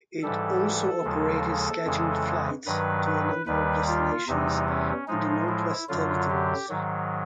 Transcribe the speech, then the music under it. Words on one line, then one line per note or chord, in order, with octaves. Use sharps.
It also operated scheduled flights to a number of destinations in the Northwest Territories.
G#2 E3 G3 A4
D#2 C#3 F3 G#3
F2 C#3 E3 G#3
G2 D#3 F#3 B4
B4
D#2 D#3 G3 B4
F4
E2 C3 E3 G3 D#4
C#4
A2 F3 G#3 D#4
E4
F#2 D3 F#3 F4
G4
G#2 D#3 F#3